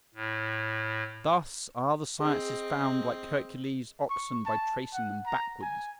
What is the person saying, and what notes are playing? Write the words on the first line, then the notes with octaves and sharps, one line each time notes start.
Thus are the sciences found, like Hercules' oxen, by tracing them backwards.
A2
C4 G#4 D#5
C#6
A5
F#5
A#5
G#5